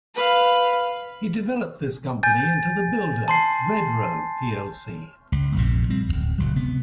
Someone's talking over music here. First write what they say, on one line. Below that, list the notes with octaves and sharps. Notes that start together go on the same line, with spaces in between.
He developed this company into the builder Redrow plc.
B4 F5
G#5 G6 A6
A5 C6 C7
C#2
A#1 F2 G#2 C3
G3 C4
D1 F2
D1 C#2 F#3
C3 B3